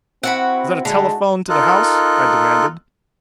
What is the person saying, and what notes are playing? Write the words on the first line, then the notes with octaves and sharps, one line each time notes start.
"Is that a telephone to the house?" I demanded.
C4 E4 F#4 F#5 B5
D3 G#3
D#4 F4 A4 A#4 F#6